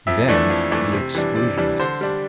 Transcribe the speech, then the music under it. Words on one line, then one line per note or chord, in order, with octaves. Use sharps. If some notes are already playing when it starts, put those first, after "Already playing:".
Then the exclusionists.
F2 E5
E3 A3 D4
F2
E3 A3 D4
C3
E3 G3 D4
C3 D5
E3 G3 D4
D3 C5
G3 D4